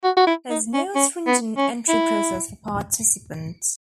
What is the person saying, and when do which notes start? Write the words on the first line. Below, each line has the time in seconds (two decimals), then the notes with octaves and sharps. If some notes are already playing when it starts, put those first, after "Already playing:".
There is no stringent entry process for participants.
0.04 F#4
0.17 F#4
0.27 E4
0.51 D#4
0.74 C#4
0.96 C#4
1.27 B3
1.58 C#4
1.89 E4